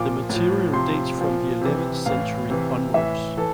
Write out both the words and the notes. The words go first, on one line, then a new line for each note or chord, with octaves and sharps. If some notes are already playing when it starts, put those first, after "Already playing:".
The material dates from the eleventh century onwards.
Already playing: A#2 F3 D6
A2 F3
C3 F3 C6
A#2 F3
C3 E3
A2 E3 F5
C3 E3
A2 E3 E5
E3 A4